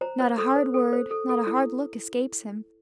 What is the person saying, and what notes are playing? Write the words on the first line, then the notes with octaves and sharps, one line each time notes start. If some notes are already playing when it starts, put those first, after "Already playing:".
Not a hard word, not a hard look, escapes him.
C5 A#5
C5
A4
C5
A4
C5
A4
A4
E4